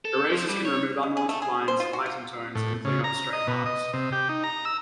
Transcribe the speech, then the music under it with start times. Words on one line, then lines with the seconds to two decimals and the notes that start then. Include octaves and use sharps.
Erasers can remove unwanted lines, lighten tones, and clean up stray marks.
0.05 A4
0.32 F3
0.49 G3
0.65 C#5
1.03 G#3
1.17 G#4
1.29 A3
1.42 G#4
1.68 C5
1.80 F4
1.93 F#4
2.06 F4
2.55 A2
2.85 C#3
3.04 A#5
3.33 D#5
3.47 B2
3.66 D#5
3.94 C3
4.12 G4
4.29 D#4
4.44 A#5
4.65 E6